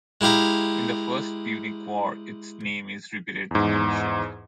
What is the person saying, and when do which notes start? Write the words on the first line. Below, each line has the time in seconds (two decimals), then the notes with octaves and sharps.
In the First Punic War its name is repeatedly mentioned.
0.21 G#3 E4 G4 F5 A#5
3.51 E2 G#2